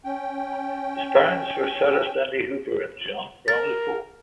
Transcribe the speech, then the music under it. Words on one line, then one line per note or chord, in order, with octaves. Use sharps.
His parents were Sarah Stanley Hooper and John Bromley Foord.
C#4 G5
A#4 A6